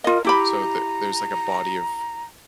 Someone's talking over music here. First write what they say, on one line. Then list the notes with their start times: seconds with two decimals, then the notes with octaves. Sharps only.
so the there's, like, a body of
0.04 F4 A#4 D#5
0.25 E4 G4 A#5 B5